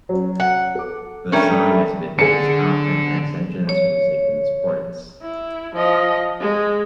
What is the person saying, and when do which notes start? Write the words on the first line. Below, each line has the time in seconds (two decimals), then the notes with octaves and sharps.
The song has been used often as entrance music in sports.
0.09 F#3 C#4
0.40 F#5
0.75 A4 D6
1.32 G3 A3 C#4 D4 A#4 G5
2.19 D3 D4 G#4 C#7
3.69 C#5
5.22 E4
5.75 F3 D#5
6.40 G#3